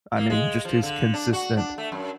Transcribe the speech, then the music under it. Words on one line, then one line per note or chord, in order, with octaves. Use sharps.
I mean, just his consistent
A#3
G#3
F3
D3
D4
F#4
D4
A3
F#2